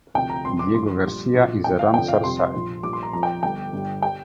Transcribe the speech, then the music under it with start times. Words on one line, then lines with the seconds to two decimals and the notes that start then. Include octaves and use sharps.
Diego Garcia is a Ramsar site.
0.15 D2 C3 F3 G5
0.30 A#5
0.45 C2 C3 F3 C6
0.59 D6
0.74 G1 G2 F3 C6
1.04 A#1 A#2 G3
1.34 A#1 A#2 F3
1.64 G1 G2 F3 G5
1.79 F5
1.94 F1 F2 D3 F3 G5
2.08 F5
2.24 F1 F2 C3 G3 C6
2.54 A#1 A#2 F3
2.83 A#1 A#2 G3 D6
2.93 C6
3.03 A#5
3.13 F2 F3 A#5
3.23 G5
3.43 G1 G2 G3 G5
3.73 G1 G2 G3
4.03 G3 G5